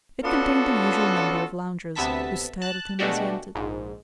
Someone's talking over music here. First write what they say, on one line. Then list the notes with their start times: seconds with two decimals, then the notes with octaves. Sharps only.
It contained the usual number of loungers, who stared at him as he entered.
0.23 B3 C#4 D4 F4 F#4 A4
1.95 D2 C3 B3 E5 A5 B6
2.62 A5 F#6
2.99 B2 G#3 A3 D4 F#4 G4
3.55 A#1 G#2